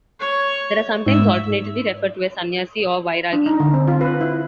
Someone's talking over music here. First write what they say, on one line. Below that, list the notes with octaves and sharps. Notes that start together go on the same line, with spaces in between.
They are sometimes alternatively referred to as "sannyasi" or "vairagi".
C#5
G#2 E5
D4
D#4
D3
C4
F4
B4
E4